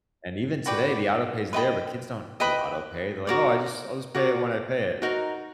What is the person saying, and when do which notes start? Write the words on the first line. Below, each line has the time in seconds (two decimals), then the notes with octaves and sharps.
And even today, the autopay's there, but kids don't do autopay. They're like, "Oh, I just I'll just pay it when I pay it."
0.66 F#4 B4 D5 G5
1.53 B4 D#5 G5 B5
2.40 B4 D#5 G5 B5
3.27 F#4 A#4 D5
4.15 F#4 A#4 D5
5.02 D#4 F#4 A#4